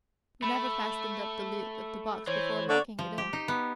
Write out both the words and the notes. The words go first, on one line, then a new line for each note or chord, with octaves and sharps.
We never fastened up the lid of the box before locking it in.
A3 B5
E3 C5 C#5
D3 D5 C#6
F3
G4
D#4
B3